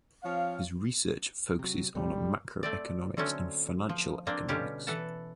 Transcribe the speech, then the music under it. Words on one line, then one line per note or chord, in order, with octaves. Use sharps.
His research focuses on macroeconomics and financial economics.
F3 C4 C#5 F5
C3 F#3
A#1 C3 G3 A3
A3 C4 D5
D3 F#3 A3 C4 C#4
F3
A#3 C4 D4
B2 D3 G3 C#4 G4 F5
E3 A4 B4 F#5 A5